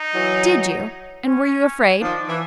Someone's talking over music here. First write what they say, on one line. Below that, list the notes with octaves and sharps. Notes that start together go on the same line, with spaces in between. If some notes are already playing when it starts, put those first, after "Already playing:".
"Did you? and were you afraid?"
Already playing: D#4
E3 F#3
C#4
D#3 F3 D4
E3